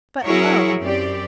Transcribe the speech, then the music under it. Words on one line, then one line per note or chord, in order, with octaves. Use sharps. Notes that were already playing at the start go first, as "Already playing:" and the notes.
But lo!
F#3 E4 F#4 G#4 A#4 C#5
F#2 C4 G4 D5